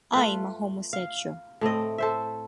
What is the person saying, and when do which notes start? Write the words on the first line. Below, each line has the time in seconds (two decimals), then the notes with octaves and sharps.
I'm a homosexual.
0.13 A3 F4 B4
0.93 F5
1.61 A2 A3 C4 D#5
1.98 A4 C5 E5